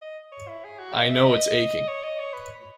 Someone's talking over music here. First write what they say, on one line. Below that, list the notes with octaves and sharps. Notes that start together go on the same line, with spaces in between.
I know it's aching.
D#5
C#5
E4
G#4
F#4
D#5
E5
D#5
C#5
D#5
C#5
B4